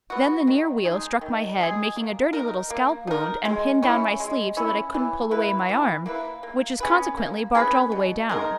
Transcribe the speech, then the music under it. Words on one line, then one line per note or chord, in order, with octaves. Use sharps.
Then the near wheel struck my head, making a dirty little scalp wound, and pinned down my sleeve so that I couldn't pull away my arm, which is consequently barked all the way down.
B3 F#4
D#3
G#3 D#4 G#4
D#3
G#3 D#4 G#4
A#3
D#4 A#4
A#3
D#4 A#4
G#3
C#4 E4
G#3
C#4 E4
E3
A#3 E4 B4
E3
A#3 E4 B4
A#3
C#4 G#4 B4
A#3
C#4 G#4 B4
B2
G#3 D#4 A#4